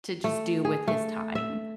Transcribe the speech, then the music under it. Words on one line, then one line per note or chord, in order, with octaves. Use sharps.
to just do with his time.
A3
G#4
A3
E5